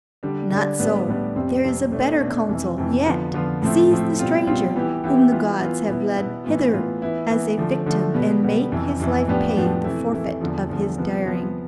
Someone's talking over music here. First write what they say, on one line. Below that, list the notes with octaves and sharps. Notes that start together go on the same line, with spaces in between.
Not so, there is a better counsel yet; seize the stranger whom the gods have led hither as a victim and make his life pay the forfeit of his daring.
D3 G3 D4
D3 G3 D4
A2 G3 B3 D4
A2 G3 B3 D4
F2 C3 G3 C4
F2 C3 G3 C4
B2 A3 D4
B2 A3 D4
F2 C3 E3
F2 C3 E3
D3 F3 B3 F4
D3 F3 B3 F4
A2 F3 A3 C4 E4
A2 F3 A3 C4 E4
B2 G3 C4 F4
B2 G3 C4 F4
E3 B3 E4 G4
E3 B3 E4 G4
E3 B3 F4
E3 B3 F4
B2 B3 E4
B2 B3 E4
A2 E3 B3 F4
A2 E3 B3 F4
E3 B3 E4
E3 B3 E4
D3 F3 A3
D3 F3 A3
B2 G3 B3
B2 G3 B3
F2 C3 E3
F2 C3 E3
A2 F3 B3 D4 G4
A2 F3 B3 D4 G4
C3 E3 A3 E4
C3 E3 A3 E4
E2 D3 F3
E2 D3 F3
C3 F3 B3
C3 F3 B3